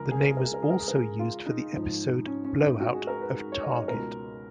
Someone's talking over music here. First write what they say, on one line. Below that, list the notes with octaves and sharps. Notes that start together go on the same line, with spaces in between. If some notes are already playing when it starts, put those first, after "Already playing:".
The name was also used for the episode "Blow Out" of "Target".
Already playing: C#2 C#3 F3 A#4
G#4
A#4
G#4
A#4
G#4
A#4
G#4
A#4
G#4
A#4
G#4
F4
D#4
G#2 F3
C#4
C#4
D#4
F#4
G#4
A#4
B4
C#5
D#5
C#5
C#2 B2 A#4